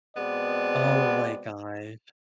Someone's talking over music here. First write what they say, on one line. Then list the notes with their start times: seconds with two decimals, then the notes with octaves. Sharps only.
Oh my gosh.
0.17 B2 G#3 B3 C4 D5